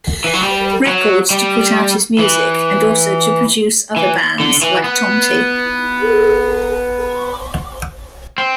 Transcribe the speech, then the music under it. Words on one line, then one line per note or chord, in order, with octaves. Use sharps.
Records to put out his music and also to produce other bands like Tomte.
E3
F#3
G3
F#3
G3
E3
E3
D3
E3
B3
C4